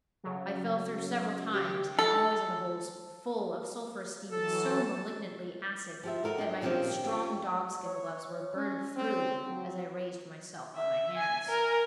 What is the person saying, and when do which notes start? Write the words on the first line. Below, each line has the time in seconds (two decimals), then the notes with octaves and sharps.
I fell through several times, and always into holes full of sulphurous steam so malignantly acid that my strong dogskin gloves were burned through as I raised myself on my hands.
0.24 C#3 F#3
1.52 G4
1.99 A4
4.31 E3 F#3 A4 A5
6.03 F3 G4 E5
6.23 F#4 A4 A#4 C#5 D#5
6.38 D4 G5
6.61 A#2 D#3 F3 C4 C#4 G4
7.04 C#4 F4 G4
7.86 C#5
8.56 C#4
8.96 C4
9.46 F#3
10.76 E5
11.18 G#5
11.49 A#4